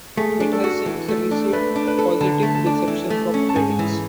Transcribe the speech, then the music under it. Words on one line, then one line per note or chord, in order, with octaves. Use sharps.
It has since received positive reception from critics.
A3 G#4
D4
A4
F#4
E3
A3
D4
A3 B4
D4
B4
A4
D3 A5
A3
A5
D4
E3
A3
C#4
A5
G#2 G#5
E3